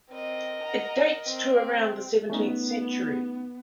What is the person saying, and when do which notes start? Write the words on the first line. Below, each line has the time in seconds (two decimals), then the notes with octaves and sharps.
It dates to around the seventeenth century.
0.11 C4 A#4 D#5
0.63 F#5 A#5
1.27 C4
2.30 A3 B3 C#4 D#4